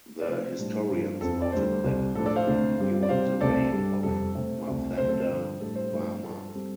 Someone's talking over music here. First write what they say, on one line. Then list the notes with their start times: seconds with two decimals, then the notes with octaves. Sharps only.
The historians noted that it was written during the reign of Marthanda Varma.
0.22 D5
0.27 C3 F3 A3 C5
0.58 A2 G3 D4
0.90 G2 F3 D4
1.21 F2 F3 C4 A4
1.42 A4 D5
1.52 D2 D3 G3 C5
1.84 C2 C3 G3
2.15 A2 F3 D4 A4
2.26 A4 D5
2.36 C5 F5
2.47 D2 C3 A3 D4
2.79 G2 G3 C4
3.03 D5
3.09 C3 G3 C4 C5 F5
3.41 C2 C3 A3 C4 A4 D5
3.72 G2 G3 D4
4.03 F2 C3 G3 A4
4.35 C3 A3 C4
4.66 C2 C3 A3
4.97 D2 C3 A3 C4 C5
5.08 A4
5.20 C5
5.29 G2 D3 F3
5.60 A2 G3 D4 A4
5.76 C5
5.92 G2 F3 A3 D4
6.22 G2 F3 D4 A4
6.55 G3 C4